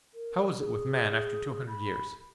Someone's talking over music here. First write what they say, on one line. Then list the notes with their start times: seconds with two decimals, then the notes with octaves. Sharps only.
How is it with man after two hundred years?
0.14 A#4
0.59 G#4
1.68 B5